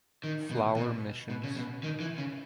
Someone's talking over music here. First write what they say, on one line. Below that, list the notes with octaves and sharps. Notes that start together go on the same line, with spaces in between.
Flower Missions.
D#3
B2
B2
B2
C#3
B2
D#3
E3
C#3